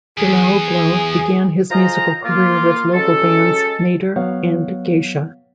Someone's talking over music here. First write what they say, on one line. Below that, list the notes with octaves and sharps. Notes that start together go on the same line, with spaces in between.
Delaoglou began his musical career with local bands Nadir and Geisha.
E2 G#4
F4 G#4 C5 D#5 A#5
A#3 F4
F#3 G#3 C#4 A4
F#3 B3 C#5 F5 F#5